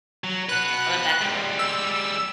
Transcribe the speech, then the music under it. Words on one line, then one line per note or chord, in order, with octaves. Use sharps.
You're coming back to work.
F#3
F#4 B4 F#6
G3 G#3
E6